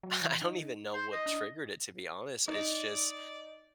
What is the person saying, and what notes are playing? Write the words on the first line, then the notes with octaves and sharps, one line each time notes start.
I I don't even know what triggered it, to be honest. It's just
F#3
E3
D#4
C5
D#5
D4
D#4 D5